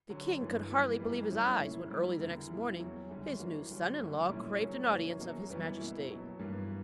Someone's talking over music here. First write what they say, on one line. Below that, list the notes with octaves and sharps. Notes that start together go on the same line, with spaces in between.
The king could hardly believe his eyes when, early the next morning, his new son-in-law craved an audience of his Majesty.
D3 F#3 C#4
G2 E3 A#3
E3 G3 B3
F#2 E3 G3 A#3
F#2 C#3 G3 C#4 E4
A#2 A#3 E4
C#3 G3 A#3 E4
E2 D3 A#3 E4
B2 G3 A#3 E4
E2 C#3 F#3 C#4
F#2 D3 G3 C#4
E3 A#3 D4 F#4
D3 G3 C#4 F#4
F#2 D3 F#3 A#3
A#2 G3 C#4 E4
C#3 F#3 A#3 C#4
F#2 E3 A#3 C#4
B2 F#3 A#3 C#4
F#2 E3 G3 B3
B2 A#3 E4
B2 F#3 B3
G2 E3 G3 A#3